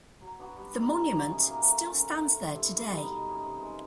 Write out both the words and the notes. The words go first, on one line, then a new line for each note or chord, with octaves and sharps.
The monument still stands there today.
F#3
B3 D4 F#4
G3
C4 D#4
C#3
E3 A3 C#4
B2
F#3 A#3
A3
C#4 F4 A#4
D3
F3 A3
D3
G3 C4 E4
A#2
G3 B3 D#4
B2
G#3 C#4
C3
D#3 G#3